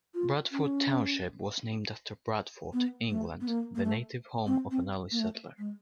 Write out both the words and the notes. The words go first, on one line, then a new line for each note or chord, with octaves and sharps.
Bradford Township was named after Bradford, England, the native home of an early settler.
F4
C#4
B3
A3
B3
A#3
A#3
A3
C4
C4
A#3
A3
G#3